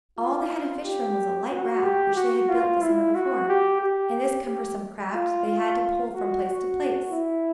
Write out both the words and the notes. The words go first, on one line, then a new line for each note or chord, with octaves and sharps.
All they had to fish from was a light raft which they had built the summer before, and this cumbersome craft they had to pole from place to place.
F4
G4
F#4
G4
F#4
F4
E4
F#4
G4
G4
G4
F4
F4
F#4
F#4
E4